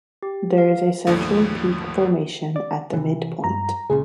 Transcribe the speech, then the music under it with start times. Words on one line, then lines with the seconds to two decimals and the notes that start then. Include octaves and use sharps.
There is a central peak formation at the midpoint.
0.23 G4
0.58 F5
1.07 G1 D#2 A2 D3 F3
2.56 D5
2.93 C3 E3
3.44 G2 A#5
3.90 C#2 A#2 C#3 G#4